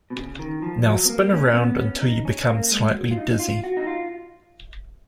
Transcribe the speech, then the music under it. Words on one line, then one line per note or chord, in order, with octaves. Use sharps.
Now spin around until you become slightly dizzy.
B2
C#3
D#3
F3
F#3
B3
A#3
C#4
B3
C#4
D#4
C#4
A#3
G#3
F#3
F4
D#4
F4
F#4
D#4
F4